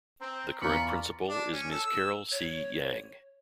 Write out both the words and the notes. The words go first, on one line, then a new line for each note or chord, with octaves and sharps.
The current principal is Ms. Carol C. Yang.
C4 G5 A#5 C6
E2 F4 A#4 D5 A#5 B5 C#6
D4
C#4
A4
E6
C#5